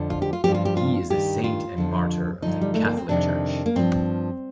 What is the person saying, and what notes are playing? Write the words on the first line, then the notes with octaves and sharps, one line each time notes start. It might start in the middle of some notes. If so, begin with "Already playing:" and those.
He is a saint and martyr of the Catholic Church.
Already playing: F2 D3 F3
F4
G4
F4
G2 F3 G4
F4
G4
F4
G2 D#3 G4
F4
F2 D3 F3
G2 D3 F3 D#4
G3
A3
A#3
C4
F2 C3 D#3 D4
A#3
G2 F3 C4